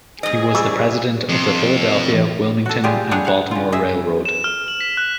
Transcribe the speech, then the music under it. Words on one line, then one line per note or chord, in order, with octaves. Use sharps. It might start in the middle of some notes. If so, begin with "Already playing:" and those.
He was the President of the Philadelphia, Wilmington and Baltimore Railroad.
G#2 G#4 D#5
G3 C#6 E6
F2
F#4 A4
G3 F4 G4 G#4
G3 D4 G#4 C#5 F#5
F5 F#5
C#3 F4
G#4 D#5 E5
E7
F6
F#7
B6
F#6